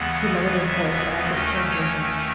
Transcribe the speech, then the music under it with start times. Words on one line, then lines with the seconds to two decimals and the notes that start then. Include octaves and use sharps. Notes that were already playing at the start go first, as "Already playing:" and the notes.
He lowered his voice; but I could still hear him.
Already playing: D#2 C#3 E3 G#3 B3 F#5
0.54 E5
1.31 D#2 D#3 A3 C#4 D#5
1.70 C#5